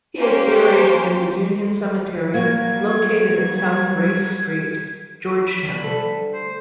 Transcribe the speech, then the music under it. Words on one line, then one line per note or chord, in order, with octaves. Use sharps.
He is buried in the Union Cemetery, located at South Race Street, Georgetown.
A#3 C#4 G4 C5
F#3 G3 A#3 F#4 A#4 G#6
B5
G3
D2 G3 A4
C5